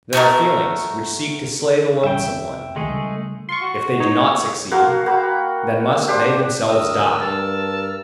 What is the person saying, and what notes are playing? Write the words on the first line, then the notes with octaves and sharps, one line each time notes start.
There are feelings which seek to slay the lonesome one; if they do not succeed, then must they themselves die!
A3 F#4 A4 A#4
E1 A1 G3 E5 G5
F1 C4
C#2 D#3 G#3 A3 G#4
C#3 G3
F4 C6 C#6
F#4
F#4
D#4 C#5
A#3 F#4 A4 C6
A#3 F#4 G5 B5
D4 G4 C5 D5
D2 A#4 D#5 E6 F6
G2 A5